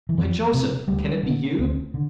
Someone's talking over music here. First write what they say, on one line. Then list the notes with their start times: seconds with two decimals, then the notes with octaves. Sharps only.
"Why, Joseph! can it be you?"
0.09 E3
0.18 F2 F3
0.54 C3
0.88 D2 G3
1.23 D3
1.59 D2
1.94 D3